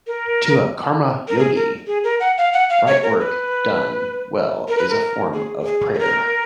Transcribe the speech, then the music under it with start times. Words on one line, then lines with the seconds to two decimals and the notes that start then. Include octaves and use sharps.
To a "karma yogi", right work done well is a form of prayer.
0.07 A#4
1.28 A#4
1.39 G#4
1.55 A#4
1.87 G#4
2.04 A#4
2.20 F#5
2.38 F5
2.53 F#5
2.70 F5
2.87 C#5
3.03 A#4
3.19 B4
4.68 A#4
4.78 B4
4.89 A#4
5.34 G#4
5.61 G#4
5.94 G#4
5.99 A#4